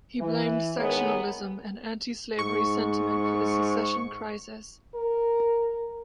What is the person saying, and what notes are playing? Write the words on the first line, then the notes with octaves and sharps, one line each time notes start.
He blamed sectionalism and anti-slavery sentiment for the secession crisis.
E3
D#3 G#3 B3 A#4 C#5
G#2 C#6
A#4